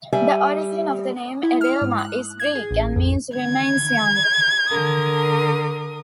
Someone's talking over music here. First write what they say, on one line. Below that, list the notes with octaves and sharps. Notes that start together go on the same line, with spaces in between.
The origin of the name Edilma is Greek and means "Remains Young".
G3 E5 G#5
E4
F6
G#2
F#6
G#6
G#4
A1
F2
G#6
D3 A#4 D#6